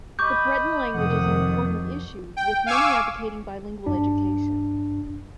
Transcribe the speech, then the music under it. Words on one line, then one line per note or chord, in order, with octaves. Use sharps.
The Breton language is an important issue, with many advocating bilingual education.
D#5 B5 C#6 D6 G6
F2 C3 D#3 F#5 D#6
G5
F5 G#5 C#6 D6 E6
G2 D4